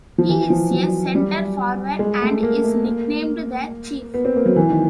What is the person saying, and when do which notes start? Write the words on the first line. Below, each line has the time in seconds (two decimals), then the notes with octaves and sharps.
He is a centre forward and is nicknamed the "Chief".
0.18 F3
0.29 E3
0.50 F3
0.71 F#3
1.15 G3
1.99 G#3
2.22 A3
2.43 A#3
2.64 A3
2.85 A#3
4.14 B3
4.25 C4
4.36 A#3
4.46 F#3
4.56 E3
4.70 D#3